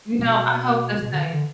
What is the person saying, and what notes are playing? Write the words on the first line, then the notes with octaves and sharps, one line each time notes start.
You know, I hope the same.
B2
B2
D3
E3
D3